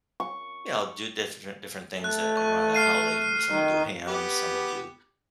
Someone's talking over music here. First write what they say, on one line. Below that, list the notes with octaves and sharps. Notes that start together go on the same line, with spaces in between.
you know, do differen different things eh around the holiday. And then some will do ham, some will do,
C#6
A3 F#6
C#6
F6 C7 D#7
D#3
B3 G4